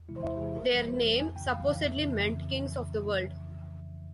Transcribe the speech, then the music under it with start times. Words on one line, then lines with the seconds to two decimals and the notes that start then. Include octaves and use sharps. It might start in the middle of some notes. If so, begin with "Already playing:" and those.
Their name supposedly meant "kings of the world".
Already playing: E2
0.08 C3 E3 G#3 E4
0.24 E2 E4
0.40 C3 E3 G#3 G#4
0.56 G1 A#4
0.72 F2 E3 G3
0.88 G1 C5
1.03 F2 E3 G3
1.20 F2 G#5
1.36 C#3 G5
1.40 E3
1.51 F2 F5
1.67 C#3 E3
1.83 F2 E5
1.99 C#3 E3
2.16 F2
2.31 C#3 E3